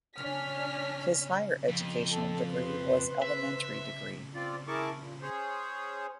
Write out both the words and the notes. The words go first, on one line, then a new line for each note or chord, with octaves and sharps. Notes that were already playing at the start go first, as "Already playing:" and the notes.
His higher educational degree was elementary degree.
C#4 D4 G#5 F6 B6
F2
A4
B4 C5
E5
C4 F4 D5
E4 G#4 A#4 A5 C#6 D6
A#2
C#4 G#4 C5 C#5